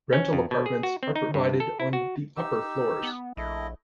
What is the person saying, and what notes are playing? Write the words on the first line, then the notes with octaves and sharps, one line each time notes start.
Rental apartments are provided on the upper floors.
C#4
F2
B2
G#4
F#4
C4
D#4
G2
A4
E4
F#4
D#4 G4 E6
B3
A#1 A3 E4 D#5